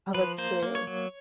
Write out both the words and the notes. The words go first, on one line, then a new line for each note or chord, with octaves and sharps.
Oh, that's true.
F3 B4
A#3 C5
A#3
C#5
F#3